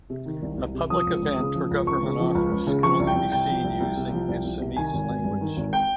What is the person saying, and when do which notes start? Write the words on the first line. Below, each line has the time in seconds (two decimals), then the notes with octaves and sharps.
A public event or government office can only be seen using Assamese language.
0.10 C3
0.26 D#3
0.42 C2
0.57 C2
0.74 C3
0.90 F3 D#6
1.06 C#2
1.22 C#2
1.39 C#3
1.55 F3
1.71 C#2
1.86 C#2 C#6
2.03 C#3
2.19 F3
2.35 C#2
2.51 C#2
2.67 C#3
2.83 F3 C#6
2.99 C2
3.07 G5
3.15 C2
3.32 C3 G5
3.47 F3
3.64 C2
3.80 C2
3.97 C3
4.12 F3
4.28 C2
4.45 C2
4.60 C3
4.76 D#3 G#5
4.93 G#1
5.08 G#1
5.25 G2
5.41 D#3
5.57 G#1
5.73 G5